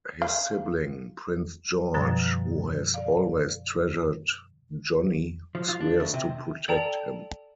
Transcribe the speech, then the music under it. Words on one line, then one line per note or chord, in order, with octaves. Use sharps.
His sibling, Prince George, who has always treasured Johnnie, swears to protect him.
F5
F#2 B2 D3 F3 G3
D5 F5
F3
F4
D4
D2
C3
A4 D5 G5 A5 A#5